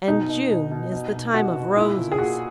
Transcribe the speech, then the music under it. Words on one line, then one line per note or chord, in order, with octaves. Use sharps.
And June is the time of Roses.
B2 D#4
B2
B2
B2
B2
B2
B2 F#4
B2
A#2 E4
A#2
G#4
A#2 F#4